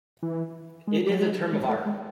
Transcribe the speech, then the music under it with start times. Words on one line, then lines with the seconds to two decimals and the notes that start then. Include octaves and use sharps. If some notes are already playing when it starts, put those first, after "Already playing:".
It is a term of art.
0.23 E3
0.87 G#3
1.09 F#3
1.20 G#3
1.53 G#3
1.69 A3
1.86 G#3